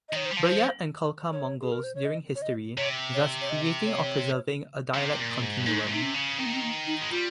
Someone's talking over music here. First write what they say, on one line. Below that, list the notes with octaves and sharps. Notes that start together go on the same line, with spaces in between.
Buryat and Khalkha Mongols during history thus creating or preserving a dialect continuum.
D#5
D#3 C#5
C5
G3
F3
C5
C#5
G#4
A#4
C5
C#5
D#5
C#5
D#5
C3 C#5
C#5
C#5
D#5
C#5
C3
A#2
G#2
G2
G#2 D#4
A#2
C3 D#4
C#4
C#3
D#3 C4
A#3
C4
A#3
D#4
G#3
G3 F4